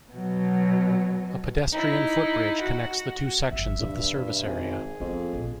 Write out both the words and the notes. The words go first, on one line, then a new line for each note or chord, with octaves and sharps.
A pedestrian footbridge connects the two sections of the service area.
B2 F#3
D#4 E4
F#4
G1 F2 E5
E2 G2 B2
G#1 G#4
F2 A#3 B3
A#1 B2